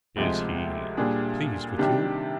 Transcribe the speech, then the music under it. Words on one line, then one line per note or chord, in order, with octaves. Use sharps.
"Is he pleased with you?"
D2 C3 F3 G#3
A#2 G3 D4 G#4
C3 D#3 G3 D4 G4